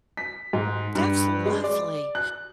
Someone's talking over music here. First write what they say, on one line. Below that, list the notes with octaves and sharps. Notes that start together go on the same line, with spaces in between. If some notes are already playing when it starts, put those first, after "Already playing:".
That's lovely.
B6
G#2
G2
G#3
D5
F#6